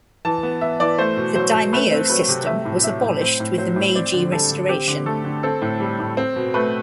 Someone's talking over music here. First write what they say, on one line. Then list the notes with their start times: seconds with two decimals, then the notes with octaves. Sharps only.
The "daimyo" system was abolished with the Meiji Restoration.
0.25 E3 A5
0.43 B3
0.61 B3 E5
0.80 E3 D5
0.98 A3 C5
1.17 B2
1.35 F#3 C5
1.54 B2
1.73 A3 B4
1.91 C4
2.10 F#3 B4
2.28 C3
2.46 A3 E5
2.65 A2
2.84 F#3 E5
3.03 A2
3.21 C4 C5
3.40 A2
3.58 F#3 C5
3.76 A2
3.95 C4 D5
4.14 D3
4.32 G3 A4
4.51 D3
4.69 C4 G4
4.88 D3
5.06 A3 A4
5.25 D3
5.43 C4 A4
5.62 A2
5.80 G3
5.99 A2
6.17 C4
6.36 B2
6.54 A3 B4